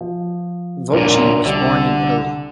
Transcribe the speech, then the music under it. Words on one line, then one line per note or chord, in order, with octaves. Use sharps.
Voci was born in Italy.
F3
C2 A#2 C#4 D4 A#4
C2 D3